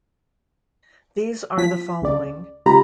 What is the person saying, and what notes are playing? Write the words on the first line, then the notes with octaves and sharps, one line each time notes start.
These are the following.
F3 B6
C#2 C#3 D5
C#3 G#3 F4 G4 A#5 B5